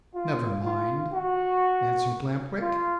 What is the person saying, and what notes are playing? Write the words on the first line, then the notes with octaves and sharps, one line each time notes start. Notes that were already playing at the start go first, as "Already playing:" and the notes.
"Never mind," answered Lamp-Wick.
F4
F4
F#4
F4